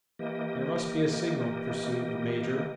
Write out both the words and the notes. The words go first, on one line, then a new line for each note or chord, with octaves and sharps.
"There must be a signal," pursued the major.
E3 A#3 G4 D#5